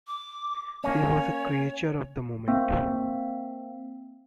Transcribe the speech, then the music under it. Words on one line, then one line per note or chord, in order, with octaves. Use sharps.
He was a creature of the moment.
D6
A#3 C#4 C#5
A#3 C4 E5